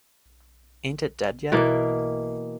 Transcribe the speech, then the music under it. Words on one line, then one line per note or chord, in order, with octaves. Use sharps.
Ain't it Dead Yet?
B2 E3 A#3